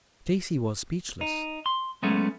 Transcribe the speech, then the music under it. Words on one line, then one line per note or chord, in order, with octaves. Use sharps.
Stacy was speechless.
D#4
C6
F#3 G#3 A3 B3 C#4